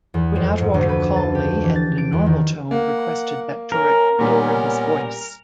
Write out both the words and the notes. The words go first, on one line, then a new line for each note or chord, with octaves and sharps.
When Atwater calmly and in a normal tone requested that Turek lower his voice.
E2
F2
G#2
D2
B4
A5
G4
E3
A6
D7
E2
D#3
A#3 F#5
C#4 A#4
A#2 G3 B3 C#4